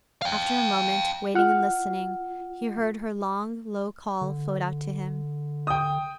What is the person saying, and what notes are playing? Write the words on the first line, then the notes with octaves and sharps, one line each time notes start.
After a moment, waiting and listening, he heard her long, low call float out to him.
F5 G5
F4 F#5 F6
D3
G5 D#6